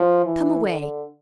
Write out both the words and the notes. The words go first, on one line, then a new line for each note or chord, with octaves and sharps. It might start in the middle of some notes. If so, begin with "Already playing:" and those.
Come away.
Already playing: F3
E3
D3